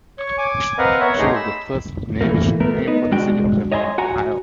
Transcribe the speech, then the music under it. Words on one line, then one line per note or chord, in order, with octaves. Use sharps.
She was the first Navy ship named for the city of Des Moines, Iowa.
C#5 C#6
G#5 D6
C4 A#4 B4 D#5 F5 F#5
B3 A#4 C#5 E5 F#5
A3 D#4 G4 G#4 A#5 C6
B5 E6
E3 A3 A#3
A3 B3 A#4
B3 D#4
C2 B2 G#3 D4 F#4 G5
C#5 D#5 E5 G#5 A5 C6
F#4 F#5 G#5 A#5